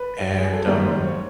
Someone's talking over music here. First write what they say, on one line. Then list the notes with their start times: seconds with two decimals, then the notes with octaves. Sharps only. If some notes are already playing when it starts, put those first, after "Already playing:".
And, um,
Already playing: B4
0.39 G#4
0.53 A4
0.66 G#2 D#3 G3 A#3 A#4
0.85 C5
1.03 C#5